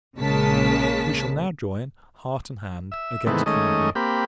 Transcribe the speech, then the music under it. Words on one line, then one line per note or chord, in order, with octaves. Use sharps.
We shall now join, heart and hand, against Calvi.
A#1 C#3 G#3 A#3 A5 B6
E5
G#2 C3 D#3 E3 A3 B3
D#3 G#3 A3 C#4 D#5
A#3 C4 G4 B5